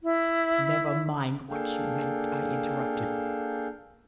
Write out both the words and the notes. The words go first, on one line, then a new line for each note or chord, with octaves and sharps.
"Never mind what you meant!" I interrupted.
E4
A#3 D4 G#4 A4 F5 G5